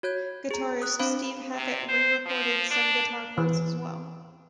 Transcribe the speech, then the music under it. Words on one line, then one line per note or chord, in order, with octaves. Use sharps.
Guitarist Steve Hackett re-recorded some guitar parts as well.
F#4 C#5 G6 G#6
G#4 A#5
D#6 F#6
C4 D4 C5 F5 B5
C3
C5
F3
D4
E3